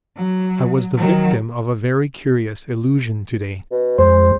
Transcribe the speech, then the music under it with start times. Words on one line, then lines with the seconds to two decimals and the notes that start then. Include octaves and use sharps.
I was the victim of a very curious illusion to-day.
0.17 F#3
0.97 D#3 F#3
3.72 B2
3.98 F2 G#3 C5